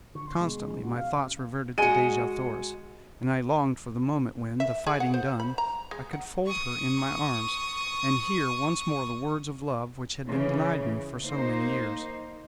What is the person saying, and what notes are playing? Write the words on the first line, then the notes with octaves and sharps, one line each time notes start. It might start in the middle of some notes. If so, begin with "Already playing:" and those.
Constantly my thoughts reverted to Dejah Thoris, and I longed for the moment when, the fighting done, I could fold her in my arms, and hear once more the words of love which had been denied me for so many years.
D3 C#6
C6
C2 B2 G#3
A1 C#3 F3
B2 C#4 F#4
F5
G#3 F#4 G#5 D#7
E5
G#4
F#5
C5
B5
A#5
G#3
F#5
C#6 D#6
C#3 E3
A#3 D#4 C5